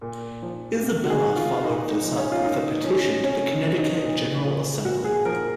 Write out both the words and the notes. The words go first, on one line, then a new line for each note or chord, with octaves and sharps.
Isabella followed this up with a petition to the Connecticut General Assembly.
A#2
F3
C3
F#4
G#4
D#3
F4
A#2 D#4
D#4
F3
C#4
F4
A#2 D#4
F3 C#4
C3 C#4
D#4
D#3
D#4
A#2
F3
A#2 F#4
G#4
F3 A#4